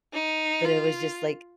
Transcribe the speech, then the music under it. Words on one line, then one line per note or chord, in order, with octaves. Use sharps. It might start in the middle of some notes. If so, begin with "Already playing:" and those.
but it was just like
D#4
F4